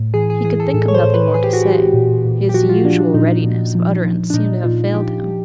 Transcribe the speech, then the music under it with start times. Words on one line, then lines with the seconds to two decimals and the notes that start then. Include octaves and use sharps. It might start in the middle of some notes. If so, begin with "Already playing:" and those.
He could think of nothing more to say; his usual readiness of utterance seemed to have failed him.
Already playing: A2
0.14 E3 G#4
0.30 G#4
0.44 E3 G#4
0.60 A4
0.74 A2 A4
0.88 C#5
0.95 C5
1.04 A2
1.14 B4
1.34 E3 G#4
1.44 G4
1.53 F#4
1.63 E3 G4
1.94 A#2
2.25 A#2
2.49 G4
2.54 F3 F#4
2.69 F4
2.85 F3 D4
2.99 D4
3.14 A#2 D#4
3.44 A#2
3.75 F3
4.05 F3
4.30 D4
4.34 A#2 D#4
4.64 A#2 F4
4.94 F3 G4
5.24 F3